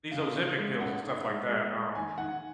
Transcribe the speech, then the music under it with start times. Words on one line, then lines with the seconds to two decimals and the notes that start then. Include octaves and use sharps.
these Ozempic pills and stuff like that, um
0.11 C#3 F5
0.34 C#4
0.57 G#3
0.80 C#4 F#5
1.03 D#4
1.27 G#3
1.49 G#3
1.72 G#3
1.95 D#3 G#5
2.18 D#3 F#5